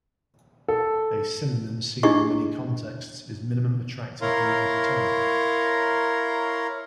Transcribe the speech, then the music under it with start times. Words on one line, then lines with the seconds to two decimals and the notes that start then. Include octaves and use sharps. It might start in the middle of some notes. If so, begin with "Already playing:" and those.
A synonym seen in many contexts is minimum attractive rate of return.
0.68 A4
2.03 D4 E4 G4 G#4 D#5 C#6
4.22 E4 A#4 C#5 F5 A#5 C6